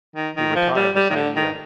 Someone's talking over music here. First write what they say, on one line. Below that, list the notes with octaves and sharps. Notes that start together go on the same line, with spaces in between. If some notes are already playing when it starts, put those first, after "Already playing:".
He retired the same year.
D#3
D#3
F3
G3
G3
D#3
D3
D#3